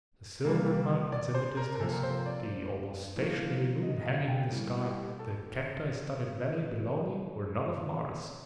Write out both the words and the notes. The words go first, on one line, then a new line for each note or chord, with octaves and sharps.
The silvered mountains in the distance, the almost stationary moon hanging in the sky, the cacti-studded valley below me were not of Mars.
C3 G3 A#3
D5
C5
A#4
A#4
C3 F3 A#3 A4
C5
D5
A2 F3 A#3
D#5
D#5
F5
G5
A2 G3 A#3
G4
A4